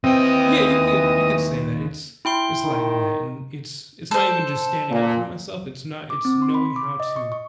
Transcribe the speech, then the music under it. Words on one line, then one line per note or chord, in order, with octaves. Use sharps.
Yeah, you could you could say that. It's it's like that, and it's it's not even just standing up for myself. It's not it's knowing how to
D#2 E3 C4 D#5 G5
E4 G5 C6
D#3
A4 C5
A#2
D6
C4
C6
B5
D6
D#5
C#6
C#6